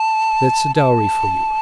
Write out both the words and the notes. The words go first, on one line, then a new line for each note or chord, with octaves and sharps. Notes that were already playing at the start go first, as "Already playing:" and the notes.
That's a dowry for you.
Already playing: A5
A5